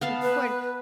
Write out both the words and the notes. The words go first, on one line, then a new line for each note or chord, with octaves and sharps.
Yeah, it's important,
B3 F5 A5
B4